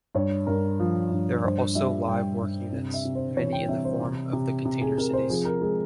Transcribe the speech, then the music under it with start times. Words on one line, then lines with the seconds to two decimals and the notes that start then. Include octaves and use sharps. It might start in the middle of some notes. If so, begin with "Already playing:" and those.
There are also live-work units, many in the form of the Container Cities.
0.15 G2 C#5
0.47 G2 A#4
0.80 F3
1.11 G2
1.44 G2 C5
1.75 G3 E5
2.07 G2 G5
2.40 G2
2.72 C3
2.94 E5
3.05 C3
3.15 C5
3.36 E3 C#5
3.53 G5
3.69 C3 E5
3.85 C5
4.01 C3
4.33 C3
4.65 C3
4.82 G#4
4.98 C3 A#4
5.13 C5
5.29 F3 G#4
5.45 A#4
5.62 G#3 G#4